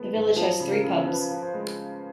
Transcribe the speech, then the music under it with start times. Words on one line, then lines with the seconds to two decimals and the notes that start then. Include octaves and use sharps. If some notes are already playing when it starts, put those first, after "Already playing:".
The village has three pubs.
Already playing: D#3 G#3 B3 A4
0.14 G#2
0.36 F3
0.60 C#3
0.72 A#4
0.84 C#3
1.07 F3 B4
1.30 F3
1.43 C5
1.54 G#3